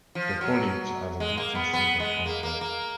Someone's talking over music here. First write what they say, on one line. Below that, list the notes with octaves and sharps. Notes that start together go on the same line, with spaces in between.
The foliage has a distinct scent of camphor.
F3
F#3
G#3
A#3
B3
B3
G#3
A#3
A#3
A#3